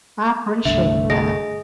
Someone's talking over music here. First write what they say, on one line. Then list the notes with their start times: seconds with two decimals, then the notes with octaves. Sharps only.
I appreciate that.
0.65 G1 C2 D3 A3 E5
1.10 G#4 D#5 A#6